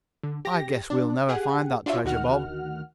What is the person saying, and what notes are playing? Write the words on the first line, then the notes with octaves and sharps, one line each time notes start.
I guess we'll never find that treasure, Bob.
D3
G4 A#6
D4
G4 G#4 F#5
D4 F4 F#4 C#5 E5
D2 D#3 F#4 F#5 F6